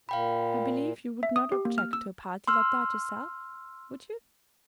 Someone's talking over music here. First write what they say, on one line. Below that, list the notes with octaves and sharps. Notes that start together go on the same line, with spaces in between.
I believe you would not object to a party like that yourself, would you?
A#2 F5 G5 B5
E5
D#6
G4
A#3
F6
E6
C6 E6 F6